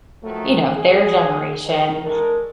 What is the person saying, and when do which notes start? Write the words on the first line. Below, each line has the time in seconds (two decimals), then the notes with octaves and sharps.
you know, their generation,
0.22 D#3 F3 F#3 A3
0.77 G#4
1.62 D#3
2.04 G#3 A3 D4 A#4